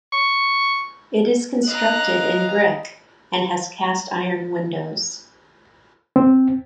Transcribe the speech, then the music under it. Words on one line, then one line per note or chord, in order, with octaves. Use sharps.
It is constructed in brick and has cast iron windows.
C#6
D#5 F5 A#5 F#6
C4